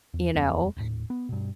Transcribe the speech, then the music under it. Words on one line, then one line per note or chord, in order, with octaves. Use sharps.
You know?
E2
D#1 F2 B3
D#1 A2
B3
G2 B2